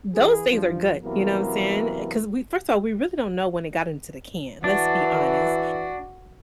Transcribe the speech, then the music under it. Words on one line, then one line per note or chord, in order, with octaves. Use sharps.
those things are good, you know what I'm saying? 'Cause we first of all, we really don't know when it got into the can, let's be honest,
E3 G#4
G2 F3
C3 E3 F#3 A#3 B3 A#4
E3 D4 F#4